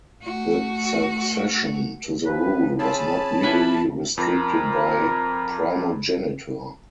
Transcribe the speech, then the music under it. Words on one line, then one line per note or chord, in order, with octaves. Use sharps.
The succession to the rule was not legally restricted by primogeniture.
A3 F#4
F3 B4
F3 C4 G#4 C#5 G#5 A5 B5
B2 C#4 E4 G4 B4
F2 A#4